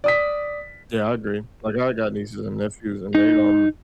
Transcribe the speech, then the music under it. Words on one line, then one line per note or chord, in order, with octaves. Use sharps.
Yeah, I agree, like I got nieces and nephews, and they, um
D5 D#6 B6
D#4